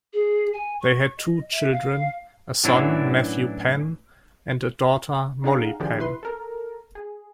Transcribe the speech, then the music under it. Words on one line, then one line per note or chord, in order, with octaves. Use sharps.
They had two children, a son, Matthew Penn and a daughter, Molly Penn.
G#4
G#5
C#6
D#5
E5
F5
F#2 A2 E3 F#3 D4 E4
D4 D#4 G#4 F5 F#5 A#5
D3 D#3 F3 D4 G4 G#4
E4 B4 C6
A4 A#4
G#4